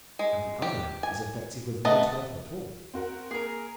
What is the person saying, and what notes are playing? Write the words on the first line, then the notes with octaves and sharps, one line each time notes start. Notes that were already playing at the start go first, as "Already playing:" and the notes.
And the other is effective with no title at all.
G#3
G4
G#5
A3 B3 A4 D#5
C4 F#4 A#4
A#3 G#4 A#4